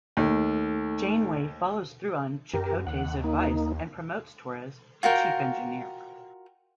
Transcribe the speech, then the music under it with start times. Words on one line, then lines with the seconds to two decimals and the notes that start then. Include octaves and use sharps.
Janeway follows through on Chakotay's advice and promotes Torres to Chief Engineer.
0.17 D#2 A3 D#4 A4
2.54 F#2 G4 A#4
2.87 D#2 F#5
3.24 A#3 D#4
5.03 F4 F#4 A#4 G5